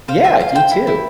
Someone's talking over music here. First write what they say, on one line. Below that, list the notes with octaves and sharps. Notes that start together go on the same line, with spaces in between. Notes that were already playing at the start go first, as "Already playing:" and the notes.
Yeah, you, too.
C5 F5
F4 E5
F4 F5
C5 G5
E4
E4